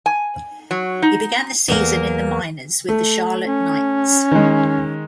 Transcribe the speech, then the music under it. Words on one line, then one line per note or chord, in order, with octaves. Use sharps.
He began the season in the minors with the Charlotte Knights.
G#5
F#3
D#4
E2 A#3
A3
C#4
D#3 G#3